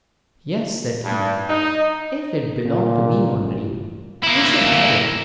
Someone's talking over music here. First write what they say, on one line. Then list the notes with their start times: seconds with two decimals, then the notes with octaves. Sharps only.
"Yes," said he, "if it belonged to me only, you should have it."
1.04 G2
1.48 D#4
2.66 A#2
3.31 A1
4.23 A#3 E4